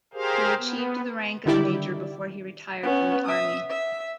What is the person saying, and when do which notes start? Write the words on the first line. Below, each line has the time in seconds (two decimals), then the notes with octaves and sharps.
He achieved the rank of major before he retired from the army.
0.14 G4 G#4 A#4 C5 F5
0.57 B3
1.46 D3 D#3 G3 E4 G4 D5
2.83 B3 C#4
3.26 E5 D#6
3.70 E5